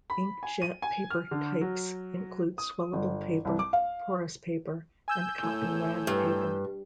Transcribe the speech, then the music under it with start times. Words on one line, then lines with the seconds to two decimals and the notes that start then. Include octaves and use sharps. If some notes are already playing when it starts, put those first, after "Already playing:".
Ink-jet paper types include swellable paper, porous paper, and cotton rag paper.
0.10 B5
0.43 G#5
0.62 D#7
0.82 G#5
1.11 F6
1.31 D3
1.61 F#3
2.58 D#6
2.93 G1
3.45 C2
3.59 D6
3.73 F5
5.08 G#5 E6 G6
5.43 A2
6.07 G2